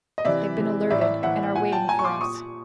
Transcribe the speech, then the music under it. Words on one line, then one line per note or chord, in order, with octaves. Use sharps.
"They've been alerted and are waiting for us."
D#5
C3 E3 D5 E5
C3 E3
A2 E3 D5 E5
D5 E5
A2 E3 E5 F#5
A#2 F#5 G#5
G5 A5
A#2 G#5 A#5
C#6
C6 D6
A#2 C#6 D#6